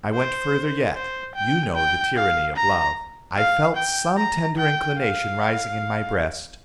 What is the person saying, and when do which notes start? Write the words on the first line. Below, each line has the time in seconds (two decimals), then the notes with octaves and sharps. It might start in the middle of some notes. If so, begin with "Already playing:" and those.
I went further yet: you know the tyranny of love: I felt some tender inclination rising in my breast.
0.14 C5
0.95 C5
1.36 G5
1.76 G5
2.16 F5
2.56 A#5
3.37 F5
3.77 G5
4.18 A#5
4.58 G5
4.98 F5